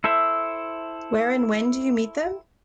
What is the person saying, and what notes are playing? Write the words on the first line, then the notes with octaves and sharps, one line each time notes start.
Where and when do you meet them?
E4 A4 C5 E5